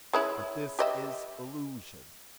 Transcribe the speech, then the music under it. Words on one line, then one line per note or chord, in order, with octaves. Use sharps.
But this is illusion.
G#3 C#4 E4
G4 D#5 E5